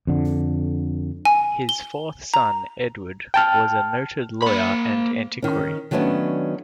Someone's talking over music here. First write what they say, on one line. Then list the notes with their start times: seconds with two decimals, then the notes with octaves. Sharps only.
His fourth son, Edward was a noted lawyer and antiquary.
0.07 F2 D3
1.25 G#5
1.69 G7
2.34 A#5
3.34 G5 A5 F6
4.42 A#3 B5
5.42 D#3 C#4
5.91 D#3 F#3 A3 B3 C#4 D4